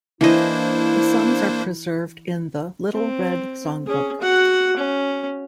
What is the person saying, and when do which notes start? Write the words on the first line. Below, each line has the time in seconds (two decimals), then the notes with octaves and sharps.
The songs are preserved in the Little Red Songbook.
0.21 E3 A#3 D4 E4 C5 D#5
2.94 C4
3.87 C#4 G#4
4.21 F#4 F#5
4.77 C#4